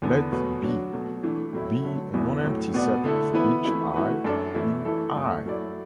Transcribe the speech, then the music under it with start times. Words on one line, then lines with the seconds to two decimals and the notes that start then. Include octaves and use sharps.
Let "B" be a non-empty set for each "i" in "I".
0.02 E2 D3 B3
0.32 B2 F#3 A3 F#4 B4
0.62 F#3 D4 F#4
0.93 B2 F#3 A3
1.23 E3 A3 D4
1.53 A2 F#3 A3 E4
1.83 D3 F#3 A3
2.13 E2 B2 B3 E4
2.44 A2 F#3 A3
2.74 B2 B3 F#4 D5
3.04 D3 A3 E4 A4
3.34 E3 B3 E4 B4
3.65 E3 A3 E4
3.94 E3 A3 F#4 B4
4.24 F#2 F#3 D4 A4 D5
4.55 E3 A3 E4
4.85 E3 A3 E4 A4
5.15 F#2 F#3 A3
5.46 F#3 A3 E4 D5